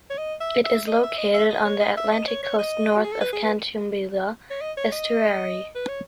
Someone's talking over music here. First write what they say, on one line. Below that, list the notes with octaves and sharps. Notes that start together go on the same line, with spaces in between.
It is located on the Atlantic Coast north of Catumbela Estuary.
C#5
D#5
E5
E5
D#5
E5
D#5
E5
D#5
C#5
D#5
E5
D#5
C#5
C#5
D#5
F#4
G#4
A4
B4
G#4
B4
C#5
D#5
C#5
D#5
B4
C#5